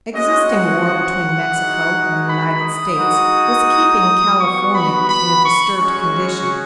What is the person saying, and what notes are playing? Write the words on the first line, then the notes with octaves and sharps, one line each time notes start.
Existing war between Mexico and the United States was keeping California in a disturbed condition.
G#3 C#4 F#4 D#5
F#5
G#3 D#4 F#4
B5
D#6
G#3 D#4 F#4
B3 F#4 C#6
B5
B5
C#6
G#3 C#4 F#4 C#6